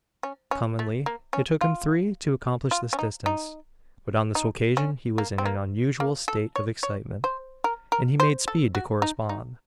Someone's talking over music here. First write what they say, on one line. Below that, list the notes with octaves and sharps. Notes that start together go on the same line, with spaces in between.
Commonly it took him three to accomplish this distance; but on this occasion he was in an unusual state of excitement, and he made speed to correspond.
C#4
C#4
A3
A#3
C#4
F4
F4
C#4
D#4
D#4
D#4
C#4
A#3
C4
A#3
A#3
A4
C#5
C#5
C5
A#4
A#4
C5
A4
F#4
D#4
D#4